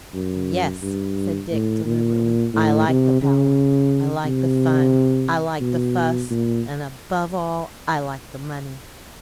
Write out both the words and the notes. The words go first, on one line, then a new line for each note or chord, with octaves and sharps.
'Yes,' said Dick, deliberately, 'I like the power; I like the fun; I like the fuss; and above all I like the money.
F#2
G2
A2
A#2
A2
C3
C#3
C3
B2
A#2